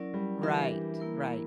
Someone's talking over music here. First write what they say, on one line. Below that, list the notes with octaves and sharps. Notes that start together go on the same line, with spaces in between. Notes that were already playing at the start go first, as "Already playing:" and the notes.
Right, right.
Already playing: F#3 C#4 E4 A#4 D5
G3
E3 D4 G4 A#4 E5
A#3 E4 A#4